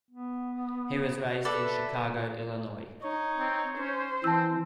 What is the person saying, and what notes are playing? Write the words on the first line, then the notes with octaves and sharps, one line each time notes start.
He was raised in Chicago, Illinois.
B3
A4 B4 D5 E5
D#4 C#5
C4
C#4 C5
E3 C4 A5 E6